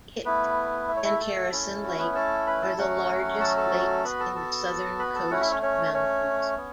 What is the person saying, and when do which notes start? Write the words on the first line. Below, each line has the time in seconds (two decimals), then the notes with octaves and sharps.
It and Harrison Lake are the largest lakes in the southern Coast Mountains.
0.25 A3 B3 E4 B4
0.89 E5
0.96 C#5
1.04 E4 E5
1.20 A4
1.52 A3 C#4 E4
1.84 F#4
1.99 B3 B4
2.15 A4 A5
2.47 B4 B5
2.62 A4 A5
2.78 F#3 A3 C#4 F#4 F#5
3.41 A4 A5
3.57 A4 A5
4.04 B3 F#4 B4 B5
4.20 A4 A5
4.35 A4 A5
4.99 B4 B5
5.15 A4 A5
5.31 A3 C#4 E4 F#4 F#5
5.41 E4 E5
5.51 C#4 C#5
5.62 C#4 C#5
5.94 C#4 C#5
6.57 B3